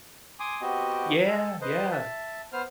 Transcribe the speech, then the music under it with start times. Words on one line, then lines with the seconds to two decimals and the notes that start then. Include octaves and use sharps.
Yeah, yeah.
0.40 G#5 C6 D6 D#6
0.61 B3 C4 F#4 G4 D#5
1.27 A4
1.61 B4 C5 D#5
1.91 E5 A5
2.53 B3 C5 F6